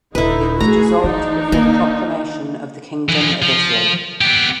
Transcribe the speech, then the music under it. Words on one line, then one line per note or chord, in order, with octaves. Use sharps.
It was dissolved before the proclamation of the Kingdom of Italy.
D#1 D3 D#4 E4 B4
A3 F#4 G#4 A#5
E3 D4 D#4
D#3 A#3
E3 F3
F3
B3 G4